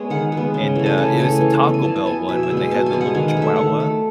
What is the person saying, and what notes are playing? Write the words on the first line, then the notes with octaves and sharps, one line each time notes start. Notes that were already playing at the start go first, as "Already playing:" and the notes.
and uh, it was the Taco Bell one when they had the little chihuahua.
Already playing: G#3 B3 C#5
D#3 F#5
G#3
B3
C#3
E3 A3
G#5
C#3 A5
E3 A3 G#5
E3
B3
G#5
E3 A5
A5
B3 G#5
B2 E5
E5
G#3 B3
G#5
B2 A5
G#5
G#3 B3
F#5
D#3 G#5
F#5
A3
E5
D#3 F#5
A3